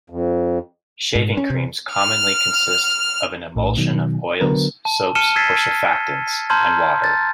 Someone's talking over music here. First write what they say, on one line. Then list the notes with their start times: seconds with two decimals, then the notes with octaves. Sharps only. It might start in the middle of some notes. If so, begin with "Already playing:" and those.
Shaving creams commonly consist of an emulsion of oils, soaps or surfactants, and water.
0.10 F2
1.15 G#2
1.37 C#4
1.50 C3
1.92 F6
3.56 A#1 A2
3.77 B2 D#3 F#3
4.40 D3 F#3 B3 A#4 B4
4.85 A5
5.15 A5 F6 C#7 D#7 E7 G7
5.35 E6 F6 G#6 A6 B6 C7
6.50 A5 A#5 C6 F6 G6 G#6
7.04 A6